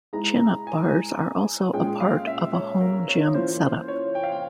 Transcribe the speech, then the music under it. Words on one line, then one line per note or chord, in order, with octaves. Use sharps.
Chin up bars are also a part of a home gym setup.
G#3 E4 G#4 A#5
A#5
G#5
A#2 G#3 C#4 F4 G#4 G5
F5
E5
C#5
A#4
C#5
E3 A#3 C#4 F4 C5
C#5
G5
F5
G5